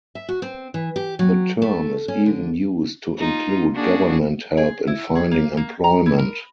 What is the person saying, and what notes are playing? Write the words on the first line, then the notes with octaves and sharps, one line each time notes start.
The term is even used to include government help in finding employment.
E5
F#4
C4
E3
G4
F#3
A3
C#4
D3
D#4 F4
A#3 D4 F#4 G#4
G#4
E4
G#4
A#3
A#3
A#5
E4
A#4